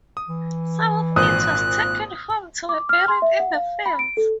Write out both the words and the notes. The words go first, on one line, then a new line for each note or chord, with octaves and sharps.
Some of it was taken home to be buried in the fields.
D#6
E3
G#1 A#2 C5 D#6 F#6
D6
F6
C6
E5
F#5
F5
B5
D7
A4